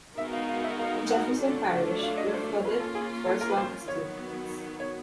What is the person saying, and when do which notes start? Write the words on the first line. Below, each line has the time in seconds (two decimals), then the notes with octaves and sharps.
In Jefferson Parish, were flooded for as long as two weeks.
0.17 G#3 B3 D#4 F#4 A#4 E5
0.33 F5
0.49 F5
0.63 E5
0.79 F5
1.10 F#5
1.41 F#3 A3 D4 F4 A4
1.72 F#5
2.03 F5
2.17 D#5
2.34 C5
2.64 A#3 C#4 F4 B4
2.79 A4
2.95 G#4
3.26 A4
3.41 A#4
3.50 B4
3.57 C5
3.87 D#3 F#3 B3 C#5
4.80 C#5